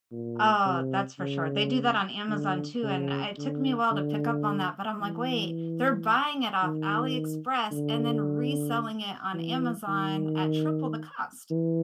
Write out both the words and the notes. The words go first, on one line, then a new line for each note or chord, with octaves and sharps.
Oh, that's for sure. They do that on Amazon too, and I it took me a while to pick up on that, but I'm like, "Wait, they're buying it off Ali Express, and then reselling it on Amazon at triple the cost."
A#2
C3
C#3
D3
C#3
D3
D3
E3
D#3
D3
E3
D#3
E3